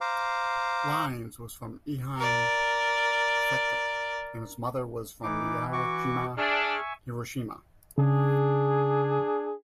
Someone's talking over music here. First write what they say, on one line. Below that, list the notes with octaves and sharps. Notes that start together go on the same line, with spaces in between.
Lines, was from Ehime Prefecture, and his mother was from Miyajima, Hiroshima.
C5 F5 A#5 D6
A#4 D5
E3 D#4 D6
F#4 C#6 D6
D4 G#4 E5 G#5 C#6 F6
C#3 D4 G#4